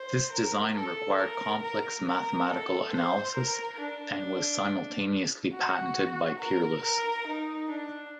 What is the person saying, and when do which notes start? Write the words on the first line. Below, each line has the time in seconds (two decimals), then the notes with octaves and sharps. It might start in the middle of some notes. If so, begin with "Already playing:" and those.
This design required complex mathematical analysis, and was simultaneously patented by Peerless.
Already playing: C5
0.32 A#4
0.76 A4
1.19 A#4
1.62 A#4
2.07 A#4
2.50 A4
2.93 C5
3.36 A#4
3.80 D4
5.53 F#4
6.39 A#4
6.83 A#4
7.27 D#4
7.70 D4